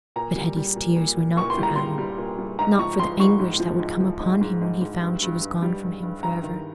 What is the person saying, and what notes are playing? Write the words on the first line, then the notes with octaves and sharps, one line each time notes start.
But Hetty's tears were not for Adam--not for the anguish that would come upon him when he found she was gone from him for ever.
A#2 A#5
G3
G3
A#2
A#2
A#2
A#2 C#6
C6
G3
A#5
G3 C6
G3
A#2
G3
G#2 A#5
F3 C#6
F3 C6
G#2 C#6
G#2
F3
G#2
F3
G#2
G#2
G#2
G#2
G2
G2
G2
G3
G2
G2
G2 A#5
D#3